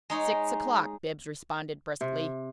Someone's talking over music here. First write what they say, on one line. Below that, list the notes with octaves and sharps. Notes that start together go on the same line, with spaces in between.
"Six o'clock," Bibbs responded, briskly.
G#3 D#4 C#5
C3